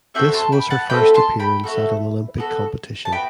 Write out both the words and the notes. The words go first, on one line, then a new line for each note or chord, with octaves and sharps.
This was her first appearance at an Olympic competition.
A3 C4 F#4 A4 E5 G5
A5 C6
G5 B5
F#5 A5
A3 C4 F#4 A4 G5 B5
A5 C6
G5 B5
A3 C4 F#4 A4
B3 F#4 A4
A5
B3 F#4 G5 B5